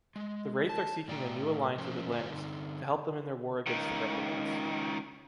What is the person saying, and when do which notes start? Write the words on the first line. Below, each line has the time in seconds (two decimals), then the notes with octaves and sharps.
The Wraith are seeking a new alliance with Atlantis, to help them in their war against the Replicants.
0.16 G#3
0.69 A5
1.08 A2 D5 G5 A#5
1.78 F3 C#4 A#4 C5
2.12 D3 F4 A#4 D5
2.30 D3 C4 D#4
3.67 C#2 D#3